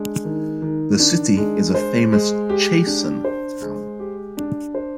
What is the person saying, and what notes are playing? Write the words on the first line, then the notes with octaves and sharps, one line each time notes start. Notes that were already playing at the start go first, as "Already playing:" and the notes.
The city is a famous "Chasen" town.
Already playing: G#3 D4
D#3
D#3
D4
G#3
C5
G#3
G4
D4
C5
G#3
G4
D4
C5